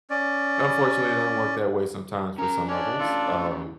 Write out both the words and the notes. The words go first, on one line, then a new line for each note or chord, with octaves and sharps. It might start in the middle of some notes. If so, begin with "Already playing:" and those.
unfortunately, it doesn't work that way sometimes for some of us, um,
C#4 D5
C#4 A#4 A#5
C#4 D4 C#5 D#5
C#4 E4 F4 A4